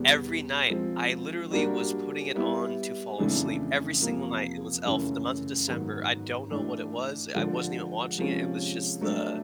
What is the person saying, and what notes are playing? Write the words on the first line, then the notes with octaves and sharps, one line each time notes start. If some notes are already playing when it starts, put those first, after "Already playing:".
every night, I literally was putting it on to fall asleep. Every single night, it was Elf. The month of December, I don't know what it was, I wasn't even watching it, it was just the
Already playing: E2 B2 G3 B3
F3 G#3 C4
G3 A#3 D4 F#4 A#4
G3 B3 E4
F2 C#3 E3 A3 D4
F2 C3 F3 A#3
F#2 C#3 E3 A3 C#4
G#2 D#3 F#3 B3
E3 A3 D4
D3 F3 G#3
C3 F3 G#3 C#4
F#3 A3 D4